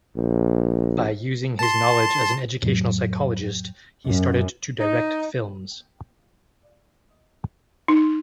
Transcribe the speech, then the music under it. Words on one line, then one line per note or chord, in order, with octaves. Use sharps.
By using his knowledge as an educational psychologist he started to direct films.
A#1
A5 C6
F2 A2 F#3
F#2
D#4
D#4